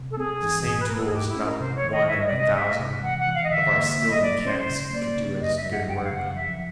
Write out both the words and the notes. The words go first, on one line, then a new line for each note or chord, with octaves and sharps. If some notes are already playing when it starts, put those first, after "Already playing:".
With the same tools not one in a thousand of our skilled mechanics could do as good work.
Already playing: C3
A4
C4 G#4
E3
G#2
B4
A3 A#4
A4
G#4
G#2 G4
E4
C#4
A#4
C3 C5
C#5
D#3
D#5
G#3 E5
D#5
D5
C3 D#5
G#3 E5
C3
E3 F#5
F#5
E3
F5
D#5
D3 E5
A#3
A#3 E5
D#5
F#3 D5
C#4 C5
C#3
A#3 D5
C#3
F#2 D#5
E5
F#3
F#5
F#2 G5
F#5
F5
C#3 F#5
F3 E5